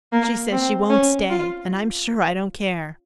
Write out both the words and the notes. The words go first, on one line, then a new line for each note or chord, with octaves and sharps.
She says she won't stay and I'm sure I don't care.
A#3
C4
C#4
F4